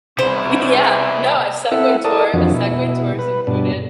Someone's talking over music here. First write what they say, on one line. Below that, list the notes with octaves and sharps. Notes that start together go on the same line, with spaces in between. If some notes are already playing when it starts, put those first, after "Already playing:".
yeah, no, a Segway tour a Segway tour is included,
E2 G#2 C3 E4 C5
C4 E4 A4 E5 F#5
E4 A4 A#4 D5 A5 D#6
F2 E3 F3 D4 F#4
B2 E4
B4
G2 B2 D4